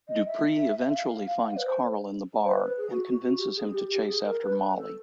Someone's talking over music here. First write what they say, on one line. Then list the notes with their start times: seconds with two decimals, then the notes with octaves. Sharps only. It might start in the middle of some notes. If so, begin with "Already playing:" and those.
Dupree eventually finds Carl in the bar, and convinces him to chase after Molly.
0.08 D#5
0.25 E5
0.90 E5
0.95 F5
1.42 F#5
1.47 F5
1.56 B4
1.65 C5
2.43 C5
2.51 B4
2.64 B4
2.77 G#4
2.90 F#4
3.03 F#4
3.20 F#4
3.38 G4
3.55 G#4
3.72 G4
3.90 G4
4.07 G#4
4.24 A#4
4.42 B4
4.77 A4